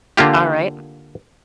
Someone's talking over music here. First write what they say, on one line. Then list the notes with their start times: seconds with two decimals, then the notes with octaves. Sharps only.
All right.
0.17 D3 A#3 F4 G4